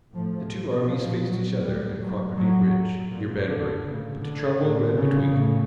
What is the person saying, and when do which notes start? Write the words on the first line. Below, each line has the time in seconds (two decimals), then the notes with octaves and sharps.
The two armies faced each other at Cropredy Bridge, near Banbury; but the Charwell ran between them.
0.13 A2 F3
0.87 A#2 F3
1.25 F#3
1.62 A2 G3
1.99 F#3
2.36 A2 F#3
3.11 A#2
3.48 D3
3.85 A2 C#3
4.22 D3
4.59 A2 D3
4.97 C#3
5.34 A2